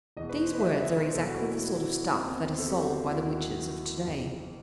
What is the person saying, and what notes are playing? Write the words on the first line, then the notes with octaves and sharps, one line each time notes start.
These words are exactly the sort of stuff that is sold by the witches of to-day.
E1 E2 B2 D#5
B4
C5
B4
E5
D#5
E5
B4
C5
E1 E2 B2 A4
F#4
E4
F#4
E4
D#2 D#3 C4
B3
C4
A4
G4
F#4
F#4
D#2 D#3 E4
F#4
F#1 E2 D#3